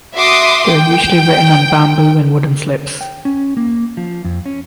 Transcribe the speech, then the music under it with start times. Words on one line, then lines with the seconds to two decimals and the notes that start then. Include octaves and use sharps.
They were usually written on bamboo and wooden slips.
0.15 F#4 E5 C6 D6 D#6
0.67 G5
3.01 G5
3.25 C#4
3.57 A#3
3.97 F3
4.25 F2
4.46 C#4